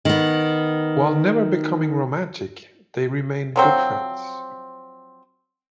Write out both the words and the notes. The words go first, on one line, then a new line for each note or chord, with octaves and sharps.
While never becoming romantic, they remained good friends.
D#3 B3
F3 F#3 C4